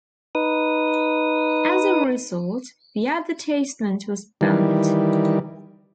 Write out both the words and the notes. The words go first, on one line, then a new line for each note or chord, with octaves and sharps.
As a result, the advertisement was banned.
D#4 B4 D#6
D#3 E3 G3